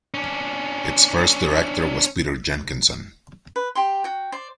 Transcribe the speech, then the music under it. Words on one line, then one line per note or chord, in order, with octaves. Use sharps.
Its first Director was Peter Jenkinson.
C#4 D4
B4
G4 G5 C6
F#4 G5
C5 D5